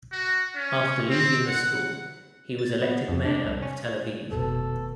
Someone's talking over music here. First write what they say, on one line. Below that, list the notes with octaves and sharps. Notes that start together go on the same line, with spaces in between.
After leaving the school, he was elected mayor of Tel Aviv.
F#4
C#4
C4
F#5
A6
B3
F2
D4
C2
C#4
F1 B2 D#3 A4